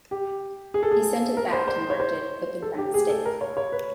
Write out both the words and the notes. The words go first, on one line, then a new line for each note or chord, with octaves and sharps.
He sent it back and marked it 'Opened by mistake.
G4
G#4
A4
G#4
A#4
C5
C5
C#5
C5
A4
G4
G#4
A4
A#4
C#5
C#5
B4